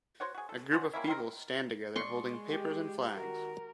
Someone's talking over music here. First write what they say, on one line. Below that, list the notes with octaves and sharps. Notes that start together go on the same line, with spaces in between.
A group of people stand together holding papers and flags.
F#4 C5 C#5 F#5
F#4 G#4
A4
B2 C#4 C5 F#5
G3 A#3 C#4 E4
D#3 C4 G#4 A#4
G#3 D5 C6 C#6
G4
D#3 F#4 A#4